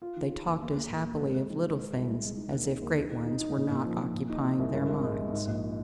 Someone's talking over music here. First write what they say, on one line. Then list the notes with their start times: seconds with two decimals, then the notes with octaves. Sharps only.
They talked as happily of little things as if great ones were not occupying their minds.
0.02 F4
0.16 D#3
0.31 F4
0.46 D#2
0.61 A#3
0.75 A#3
0.90 A#2
1.05 A#3
1.20 G#3
1.34 G#3
1.50 D#3
1.64 G#3
1.78 G#3
1.93 C2
2.08 G#3
2.23 G#3
2.38 D#4
2.52 D#2
2.67 D#4
2.82 D#2
2.97 D#3
3.11 D#4
3.26 D#4
3.41 D#4
3.56 A#2
3.71 A#2
3.85 F3
4.00 F3
4.15 A#2
4.30 D#4
4.45 D#4
4.59 C2
4.74 G#1
4.89 G#1
5.04 G#3
5.18 G#1
5.33 G#2
5.47 A#1